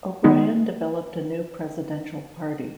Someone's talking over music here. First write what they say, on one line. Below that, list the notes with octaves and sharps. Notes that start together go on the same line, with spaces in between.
O'Brien developed a new presidential party.
D#3 G#3 B3 D#4